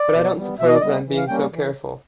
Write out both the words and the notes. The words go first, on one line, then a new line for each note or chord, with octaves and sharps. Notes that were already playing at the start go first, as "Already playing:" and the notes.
But I don't suppose I'm being so careful.
Already playing: D5
B2
G3 B3
B2 E5
D#5
D5
G3 B3 D#5
E3
F5
G3 A#3 C#4 G5
E3